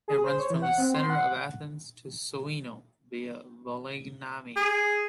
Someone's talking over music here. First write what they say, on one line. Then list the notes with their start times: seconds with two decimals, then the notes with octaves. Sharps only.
It runs from the centre of Athens to Sounio, via Vouliagmeni.
0.08 G#4
0.24 C5
0.39 C#5
0.50 E3
0.62 F#5
0.78 C4
0.94 C6
1.10 F#5
4.56 G#4